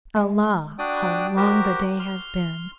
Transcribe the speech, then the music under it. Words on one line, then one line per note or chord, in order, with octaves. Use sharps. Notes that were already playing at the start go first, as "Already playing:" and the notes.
Allah! how long the day has been....
G#3
D4 F#4 D5 G5 D#6
F#4 G4 A#4 C5
C6 F6